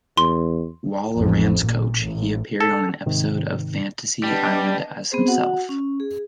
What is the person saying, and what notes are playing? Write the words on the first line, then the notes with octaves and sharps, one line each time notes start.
While a Rams coach, he appeared on an episode of Fantasy Island as himself.
E2 C6
A1 F2
A#2
A1
A4
G#2 C3 D#3
G3 B3 D4 D#5
B3 C4 G#4 C5
F#4 F#5
C#4
G#4